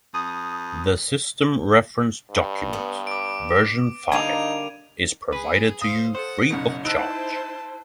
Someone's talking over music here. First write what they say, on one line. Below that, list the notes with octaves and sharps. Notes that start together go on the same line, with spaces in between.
The System Reference Document, version five, is provided to you free of charge.
F2 D#6
G2
B3
D6 D7
D3 G3 A#3 D#4 G#6 D#7 F7
G#4 B4
C5 F5 D#6
A4 C5 F#5
F#1 F#2 B2 D#4
D#4 E4 C5 A5 E6 F#6 D7